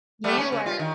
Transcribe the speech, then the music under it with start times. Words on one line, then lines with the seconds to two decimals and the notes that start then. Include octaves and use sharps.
You are
0.24 G3 A3 B3
0.38 C#4
0.52 C#3
0.66 F4
0.79 D#3